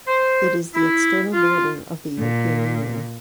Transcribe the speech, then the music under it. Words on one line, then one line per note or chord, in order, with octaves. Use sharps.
It is the external border of the European Union.
C5
E4
F4
A#2